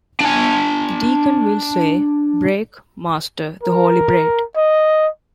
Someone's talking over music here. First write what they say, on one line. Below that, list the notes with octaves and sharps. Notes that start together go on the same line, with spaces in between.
The deacon will say, Break, Master, the Holy Bread.
D4 G#5
A#4
D#5